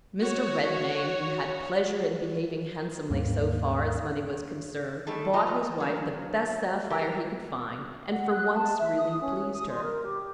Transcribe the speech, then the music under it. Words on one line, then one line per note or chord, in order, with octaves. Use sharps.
Mr. Redmain, who had pleasure in behaving handsomely so far as money was concerned, bought his wife the best sapphire he could find, and, for once, really pleased her.
F#4 C#5
D#2 G#2 G3 A#3
G3 A3 D#4 G#4 A4
F3 A3 F4 C5 D#5 A#5
D3 F#3 C#4
G3 G4 A#4
F#5
F#6
A5
E5
D#6
C#4
D#6
C6
A#4
G4